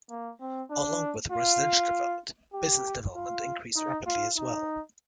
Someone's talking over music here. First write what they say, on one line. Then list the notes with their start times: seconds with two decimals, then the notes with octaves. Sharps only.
Along with residential development, business development increased rapidly as well.
0.10 A#3
0.41 C4
0.71 D4
1.32 F4
2.54 G4
3.16 F4
3.76 D#4
4.07 F4
4.37 D#4